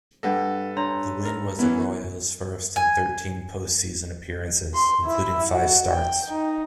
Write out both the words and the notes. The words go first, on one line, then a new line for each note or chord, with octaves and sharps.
The win was Arroyo's first in thirteen postseason appearances, including five starts.
G2 G3 D4 A4 B4 F#5 A#6
D4 C#5 A#5 C6
A#4
E3 B3 C#4 E4
G#5
C6
E4 E5
F#4
G5
D#4